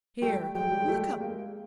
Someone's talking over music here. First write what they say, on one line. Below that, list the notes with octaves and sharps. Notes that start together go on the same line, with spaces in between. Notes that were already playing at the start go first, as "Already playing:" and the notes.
Here, look up.
G3 A3 G5
F#3 G#3 G5
G3
G#3
G3 A3
G#3 A#3